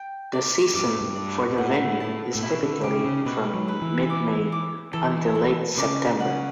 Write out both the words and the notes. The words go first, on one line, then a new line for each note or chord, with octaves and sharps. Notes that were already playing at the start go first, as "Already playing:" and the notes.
The season for the venue is typically from mid May until late September.
Already playing: G5
D5
G2 D6
A2
G2
D5
B2
A2 F#5
A5
A2
B2 E4
D3
C#3 G4
C#3
B2 B4
F#3
B4
E3
D6
D6
E3 A4
A4
C#3 D6
C#3 F#5